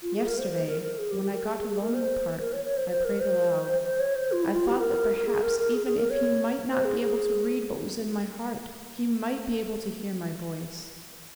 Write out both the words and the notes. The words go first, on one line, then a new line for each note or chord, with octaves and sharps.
Yesterday, when I got alone in the park, I prayed aloud: I thought that perhaps, even if he might not be able to read what was in my heart, he might be able to hear my voice.
F4
G#4
A#4
C5
C5
A#4
A#4
G#4
G4
G4
A#4
G#4
G#4
G#4
A#4
C5
C5
A#4
C#5
C#5
C5
C5
A#4
C5
C5
C#5
C5
F4
E4
F4
G4
A#4
A#4
G#4
A#4
A#4
G#4
G#4
A#4
C#5
C5
G#4
G#4